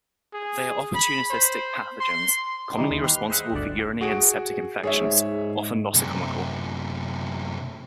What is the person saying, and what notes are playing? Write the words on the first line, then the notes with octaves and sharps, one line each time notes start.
They are opportunistic pathogens, commonly responsible for urinary and septic infections, often nosocomial.
G#4
B5
C5
C6
D#3 E3 G3 A#3 D#4
D#2
G4 B4 C6 F6
G#3 C5 D#5 E5 F#5
G1 D2 D3 D5 F#5
F#4 G#4 D7
G#2 G#4 C#5 E5
F#2 C3